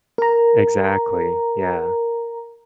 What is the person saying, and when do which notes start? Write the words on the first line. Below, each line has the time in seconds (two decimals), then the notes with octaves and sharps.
Exactly, yeah.
0.18 A#4 A#5